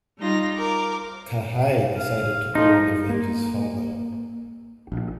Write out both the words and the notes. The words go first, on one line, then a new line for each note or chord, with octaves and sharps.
Kaha'i decided to go and avenge his father.
G3 D#4 F4 A#6
A#4 D6
F5
F3 D#4
A#3
A#1